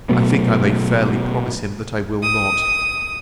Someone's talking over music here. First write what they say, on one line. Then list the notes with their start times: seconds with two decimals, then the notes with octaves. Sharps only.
I think I may fairly promise him that I will not.
0.09 B2 F#3 A3 B3
2.24 D#6